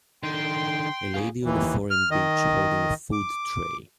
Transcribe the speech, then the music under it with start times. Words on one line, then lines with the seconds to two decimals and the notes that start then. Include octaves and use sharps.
A lady on a foreign beach holding a food tray.
0.23 D3 D#3 G5 C6
1.14 F4 G#4
1.43 D#2 E3
1.90 F6
2.11 D#3 D#5
3.12 D6